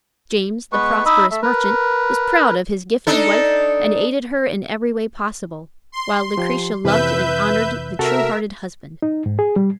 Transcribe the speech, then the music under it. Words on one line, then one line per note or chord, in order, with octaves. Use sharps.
James, the prosperous merchant, was proud of his gifted wife, and aided her in every way possible; while Lucretia loved and honored the true-hearted husband.
G#3 B3 B4 C#6
D#4 D#5 B5 E6
A3 E5
A#4 B4
D4 D#4 A4
C6
F3 G4
F2 C3 E3 B4 E5 G6
C3 F#4 A4 A#4 E5
D#4
G#2
G#4
G3